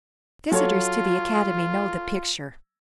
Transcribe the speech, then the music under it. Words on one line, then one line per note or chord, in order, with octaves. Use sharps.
Visitors to the Academy know the picture.
F#3 F4 A4 C#5